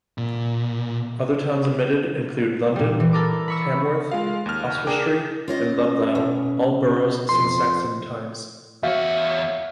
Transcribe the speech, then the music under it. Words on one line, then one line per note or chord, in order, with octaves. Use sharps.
Other towns omitted include London, Tamworth, Oswestry and Ludlow, all boroughs since Saxon times.
A#2
A#2 G3
E3
A4 A#4 D6
B5 C#6 E6
G#3 F4 F5
D#2 F6
D4 G#4 A#4 G5 D6
C#4 F4 C#5 D#5
B2
F2 C6
E2 F#4 C#5 E5 F5